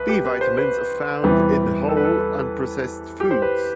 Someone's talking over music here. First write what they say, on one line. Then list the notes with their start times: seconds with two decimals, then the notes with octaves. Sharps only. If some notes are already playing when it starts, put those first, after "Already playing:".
B vitamins are found in whole unprocessed foods.
Already playing: C2 B4
0.09 G4
0.25 B4
0.41 C5
0.58 B4
1.23 E2 C3 E3 G3 B3
1.89 A4
1.97 B4
2.05 A4
3.20 G4
3.31 C5
3.42 B4